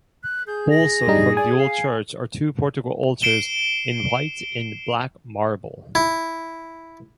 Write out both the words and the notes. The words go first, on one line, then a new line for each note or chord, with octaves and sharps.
Also from the old church are two portico altars in white and black marble.
F#6
G#4 G6
A#6
G2 G3 D#4
D5 G#5
F5
C7 D7 E7 G7
E4